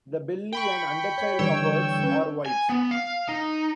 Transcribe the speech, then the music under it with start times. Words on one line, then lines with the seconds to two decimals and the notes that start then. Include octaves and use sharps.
The belly and undertail coverts are white.
0.53 G5 B5 C#6
1.18 C#5
1.39 D3 E3 G3 C#5 G5 E6
2.03 C#4 B4
2.46 G#5
2.69 B3
2.91 F5
3.29 D#4